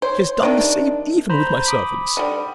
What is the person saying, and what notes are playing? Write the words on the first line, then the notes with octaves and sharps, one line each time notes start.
She has done the same even with my servants.
C5 C#5
C3 D#3 D4
C5 A#5 B5
B5 D6 D#6
D3 G3